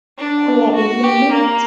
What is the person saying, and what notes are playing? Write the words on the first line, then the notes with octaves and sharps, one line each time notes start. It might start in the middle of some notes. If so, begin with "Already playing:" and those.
Where did you meet?
D4
F#4
G4
A#3